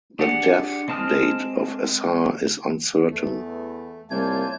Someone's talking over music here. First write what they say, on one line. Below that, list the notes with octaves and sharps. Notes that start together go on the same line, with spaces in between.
The death date of Assar is uncertain.
D4 G4 G#4 D5 F#5
G#3 C4 A5 D#6 F6
E2 A3
C2 A3 A#3 F4 C#5 G#5 A5 G6